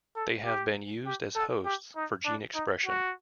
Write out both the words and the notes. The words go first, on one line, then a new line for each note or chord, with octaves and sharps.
They have been used as hosts for gene expression.
A4
G4
G4
A4
G4
D#4
D4
D#4
F#4